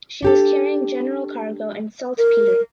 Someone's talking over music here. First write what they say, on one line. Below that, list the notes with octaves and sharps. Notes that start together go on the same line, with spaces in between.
She was carrying general cargo and saltpeter.
D4 G4 A4
A#4